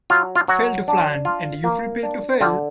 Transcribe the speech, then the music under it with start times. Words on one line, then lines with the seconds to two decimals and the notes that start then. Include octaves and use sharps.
Fail to plan, and you Prepare to fail.
0.10 F#3 F4
0.36 F4
0.48 F#3 F#4
0.88 D4
1.25 F4
1.64 A#3
2.03 D4
2.41 D3 F4 G4